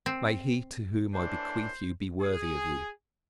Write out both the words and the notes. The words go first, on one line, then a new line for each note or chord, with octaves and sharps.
May he to whom I bequeath you be worthy of you!
C4
A2 E3 D4 C5
G#4